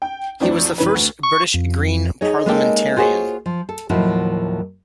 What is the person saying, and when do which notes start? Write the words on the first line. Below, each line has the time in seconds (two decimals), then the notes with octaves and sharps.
He was the first British Green parliamentarian.
0.02 G5
0.40 F2 E3 F#3 A3 C4 D4
0.78 F1 E3 C#4 B4
0.95 D2
1.23 C#6
1.54 F2
2.21 D#4 G#4 C#5
2.46 G#3 A#3 C#4 D#4 A4 G5
2.96 F4 F#4 G#4 C5 C#5
3.46 F3
3.69 A4
3.90 D#2 A2 F3 F#3 E4 F#4